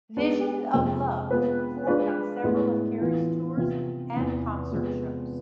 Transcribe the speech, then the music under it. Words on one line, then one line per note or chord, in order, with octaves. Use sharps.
"Vision of Love" was performed on several of Carey's tours and concert shows.
G#3 B3 D4
F2 C3 G#3
G#3 B3 F4 B4
G#3 D4 F4 B4 D5
A2 G#3 B3 E4
E3 B3 F4
C3 F3 B3 F4
E2 C3 E3
C3 F3 G#3 B3